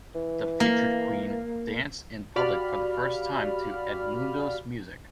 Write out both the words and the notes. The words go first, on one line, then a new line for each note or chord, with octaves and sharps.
The future queen danced in public for the first time to Edmundo's music.
E3
A#3
F#4 G4 D5 F5 B5 F6